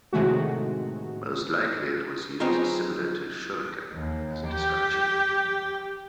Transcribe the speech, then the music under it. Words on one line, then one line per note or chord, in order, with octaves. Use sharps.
Most likely, it was used similar to "shuriken", as a distraction.
A2 C3 D#3 G#3 A3 F#4
F#3 B3 C4 D#4 F4 G#4
D#2
G4